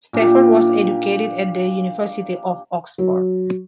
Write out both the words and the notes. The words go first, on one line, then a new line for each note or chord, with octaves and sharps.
Stafford was educated at the University of Oxford.
A#2 D4 D#4 G4
F#3